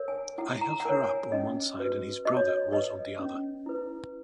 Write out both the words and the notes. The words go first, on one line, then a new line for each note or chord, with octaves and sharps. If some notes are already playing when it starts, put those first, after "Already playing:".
I held her up on one side and his brother was on the other.
Already playing: A#4 C#5
G#5
E4 F#5
A#5
F#5
A#4 C#5 G#5
G#5
C#4 D#5
F#4 B4
F#4 D#5
C#5
D#5
B4 D#5
C#4
E4 B4